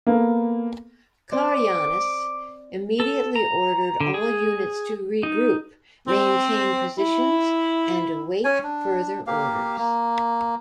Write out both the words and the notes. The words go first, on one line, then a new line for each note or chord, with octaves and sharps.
Karayiannis immediately ordered all units to regroup, maintain positions and await further orders.
A#3 B3 A4
C4 C5 D5 D6
A4
A#5
D3
G#4
D#4
C4
E4
C#4 C#5 G#5
D4
A#3 G4 F5
A#3